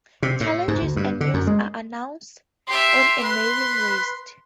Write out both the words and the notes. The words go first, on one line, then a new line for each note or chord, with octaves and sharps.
Challenges and news are announced on a mailing list.
C3
A2
G#2
D2
G2
D3
F#2
G#3
G4 E5 C6
B4 C6